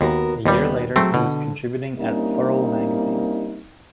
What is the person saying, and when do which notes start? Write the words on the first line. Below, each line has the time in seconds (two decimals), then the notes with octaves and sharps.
A year later he was contributing at "Plural" magazine.
0.01 D#2 B3 F#4 A#4
0.46 D#2 G3 B3 D#4
0.96 F#3 G#3 A3 C4
1.14 B2 D3
1.98 G3 A#3 C4 C#4 D#4 E4